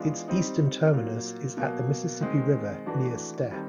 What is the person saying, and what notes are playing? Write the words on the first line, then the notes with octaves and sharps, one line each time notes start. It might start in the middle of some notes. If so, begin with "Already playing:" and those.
Its eastern terminus is at the Mississippi River near Ste.
Already playing: E3 G#3 B3 D4 F4
G3 C4 D#4
A#2 F#3 A#3
B2 F#3 A#3
D#3 G#3 C4
E3 A3 D4 F#4
D#3 G3 C4